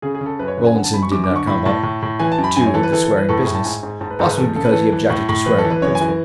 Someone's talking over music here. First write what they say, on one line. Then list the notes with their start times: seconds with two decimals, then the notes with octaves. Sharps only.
Rollinson did not come up to the swearing business; possibly because he objected to swearing on principle.
0.02 C#3 G#4
0.15 G#4
0.21 C#3
0.26 A4
0.39 F#2 B4
0.48 C#5
0.57 C#3 B4
0.67 G#5
0.74 D3 F#5
0.84 A5
0.94 F#2 B5
1.03 C#6
1.12 F#2 D6
1.24 D6
1.29 D3
1.36 C#6
1.47 A2 B5
1.65 A2 A5
1.83 A2
2.02 A2
2.19 E3 G#5
2.32 A5
2.38 F#2
2.44 B5
2.56 F#2 G#5
2.66 C#5
2.74 E3 A4
2.83 B4
2.92 E3 A4
3.04 A4
3.10 E3
3.17 B4
3.29 A2 A4
3.41 G#4
3.46 A2
3.55 A5
3.65 G#2 G#5
3.83 G#2
4.01 G#2 A5
4.11 B4
4.19 G#2 A4
4.28 B4
4.37 E2 A4
4.56 C#3 A4
4.64 B4
4.72 E3 A4
4.92 E3
5.10 A2
5.29 A2
5.46 E3 B4
5.59 A4
5.65 E3
5.70 B4
5.82 F#2 C#5
5.95 G#5
6.01 E3